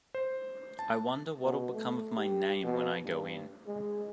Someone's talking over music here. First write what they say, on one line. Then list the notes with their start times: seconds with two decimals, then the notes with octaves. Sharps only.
I wonder what’ll become of my name when I go in?
0.14 C5
0.79 A5
1.43 B2
1.74 A3
2.17 G4
2.64 B2
3.04 G2
3.67 G#3